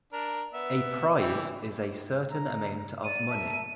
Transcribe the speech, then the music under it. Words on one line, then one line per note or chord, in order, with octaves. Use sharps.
A prize is a certain amount of money.
D4 A#4
B3 E5
E3 G4
A#5
D5 D#7
A#4 E5 A5